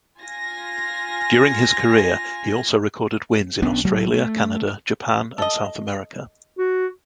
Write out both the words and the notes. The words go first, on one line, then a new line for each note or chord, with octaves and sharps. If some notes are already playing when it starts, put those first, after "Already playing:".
During his career, he also recorded wins in Australia, Canada, Japan, and South America.
F4 G#5 A#6
B1 B3 C#4 D4
C2 F#3 A3
A3
A4 D#5
F#4